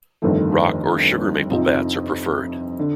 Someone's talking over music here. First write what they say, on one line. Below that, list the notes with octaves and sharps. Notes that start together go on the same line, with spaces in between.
Rock or Sugar Maple bats are preferred.
G1 F2 D#3 A3
F2 C3 F3 C4 D#4
D3